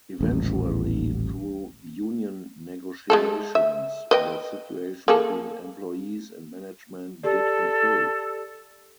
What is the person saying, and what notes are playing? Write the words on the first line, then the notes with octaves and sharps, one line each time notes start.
Eventually, through union negotiations, the situation between employees and management did improve.
D#1 A1
G#3 A3 A4
E5
B4 D#5 G5
A#3 G#4 A4
G4 A4 D5